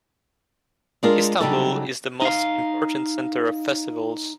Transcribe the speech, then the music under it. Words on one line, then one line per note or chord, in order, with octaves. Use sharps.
Istanbul is the most important center of festivals.
G#3 D4 F4 G#4 A#4
C#3 F#3 G3 D4 D#4 A4
D#4 F5